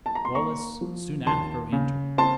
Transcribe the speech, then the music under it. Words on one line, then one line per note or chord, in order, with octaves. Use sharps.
Wallace soon after entered.
A5
A#5
C6
A#3 A#5 C#6
F3
D#2 A5 C6
C#3
C4 A5 C6